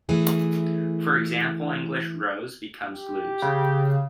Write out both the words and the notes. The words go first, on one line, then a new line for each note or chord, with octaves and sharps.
For example, English "rose" becomes "lose".
E3 A3 G#4
G4
C#3